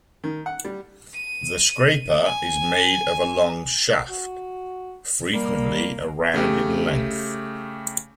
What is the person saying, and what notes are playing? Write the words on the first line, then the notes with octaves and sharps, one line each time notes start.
The scraper is made of a long shaft, frequently around in length.
D#3
F#5
G3
D#7
G#5
F#4
G3 A#3
C#3 A3 G4